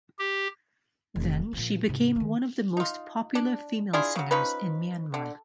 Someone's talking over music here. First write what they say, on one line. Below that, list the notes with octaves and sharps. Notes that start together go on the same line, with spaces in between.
Then she became one of the most popular female singers in Myanmar.
G4
F1 D#2
A#2 F3
G#2 C3
D#3 A#3
D#4 F4
D4
D4 E4 F4 G#4
C#3 F#3
F3 C#4 D#4 B4
D3